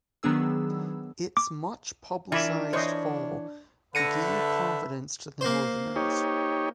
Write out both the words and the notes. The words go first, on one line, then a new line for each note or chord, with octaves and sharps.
Its much publicized fall gave confidence to the Northerners.
D#3 F#3 B3 D4 G#4 E6
D6
E3 D4 F4 A#4 E5 G#5 B5
E3 C5 C#5 D#5
D3 A3 B4 E5 A#6 C#7 D#7
A#3 C5
D#4 G4 C#5